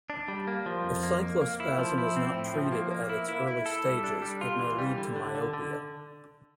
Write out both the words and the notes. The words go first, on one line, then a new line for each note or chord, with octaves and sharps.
If cyclospasm is not treated at its early stages, it may lead to myopia.
D4
G3
A#3
F3
F2
A#3
A#3
A#3
E4
F3
E4
C4
A2
F3
A#3
A#3
E4
E4
E4
A4
G3
D4
G3
F4
E3
G3
D3
D3
D3
D3